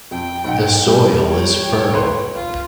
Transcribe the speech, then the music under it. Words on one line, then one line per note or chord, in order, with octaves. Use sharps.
The soil is fertile.
F2 G5
B1 F#5
G3
C#5 G5
B4 C6
F4